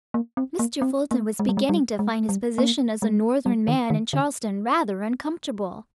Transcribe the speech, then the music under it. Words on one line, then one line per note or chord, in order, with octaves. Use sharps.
Mr. Fulton was beginning to find his position as a northern man in Charleston rather uncomfortable.
A#3
C4
A#3
C4
A#3
G#3
G3
G#3
G3
G#3
G3
A#3
G#3
G3
D#3
D#3
D3